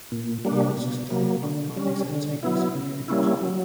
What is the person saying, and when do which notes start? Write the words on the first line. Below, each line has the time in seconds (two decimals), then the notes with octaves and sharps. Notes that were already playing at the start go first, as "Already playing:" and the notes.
He also studied mathematics and Chinese in the university.
0.12 A#2
0.45 G3 A#3 D4
0.77 B2
1.10 F#3 A#3
1.43 D3
1.76 G3 C#4
2.10 D3
2.43 F#3 B3 E4
2.75 C#3
3.08 G3 A#3 C#4 E4
3.41 F#3